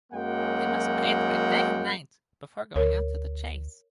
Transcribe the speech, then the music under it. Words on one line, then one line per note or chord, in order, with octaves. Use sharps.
They must bathe by day and night before going out to the chase.
F#2 F#3 G#3 A#3 F#5 G5
D2 A#4 C#5